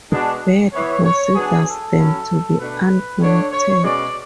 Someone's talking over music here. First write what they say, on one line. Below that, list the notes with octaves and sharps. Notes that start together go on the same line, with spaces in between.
Bird considers them to be unconnected.
B2 G#3 B3 D4
E3 B3 E4 C#5
C#5
F#3 B3 D4 G#4
A4
F#3 C#4 E4
B2 A3 D4 B4
D3 A3 D4 C#5
C#5
B2 G#3 C#4 D5